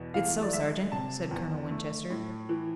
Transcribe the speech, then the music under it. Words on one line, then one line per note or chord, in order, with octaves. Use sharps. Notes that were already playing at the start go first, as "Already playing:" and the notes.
"It's so, sergeant," said Colonel Winchester.
Already playing: E2 B2
E3 F5
D5
G#3 E5
C3 A5
E2
A3
A2
E3